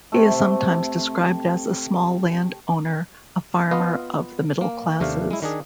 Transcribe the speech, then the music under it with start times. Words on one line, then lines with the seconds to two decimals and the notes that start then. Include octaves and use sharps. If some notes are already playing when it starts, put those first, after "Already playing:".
He is sometimes described as a small landowner, a farmer of the middle classes.
0.12 C3 A3
3.71 B3 F4 B4 D#5 F5
4.61 A#3
5.00 D#2 C3 A3 D4 F5
5.31 G#3 E4
5.42 D#3 D4 G#4